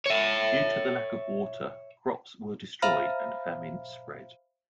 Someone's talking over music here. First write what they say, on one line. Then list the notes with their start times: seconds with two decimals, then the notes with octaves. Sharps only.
Due to the lack of water, crops were destroyed and famine spread.
0.06 C#5 E5
2.82 C5 E5 F5 A#5 B5 F6